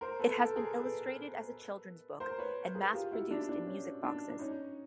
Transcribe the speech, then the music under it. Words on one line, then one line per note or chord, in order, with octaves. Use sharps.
It has been illustrated as a children's book and mass-produced in music boxes.
A#4 C5
A4 B4
A4 B4
G#4 A#4
A4 B4
A#4 C5
B4 C#5
G#4 A#4
F4 G4
E4 F#4
D4
D4
C#4
D4
D4
C#4 D#4